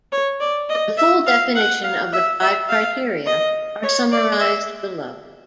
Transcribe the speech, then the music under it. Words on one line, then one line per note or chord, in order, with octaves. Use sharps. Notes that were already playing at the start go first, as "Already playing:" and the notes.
The full definition of the five criteria are summarised below.
C#5
D5
D#5
E5
F5
F#5
F5
E5
E5
F5
D#5
C#5
D5
E5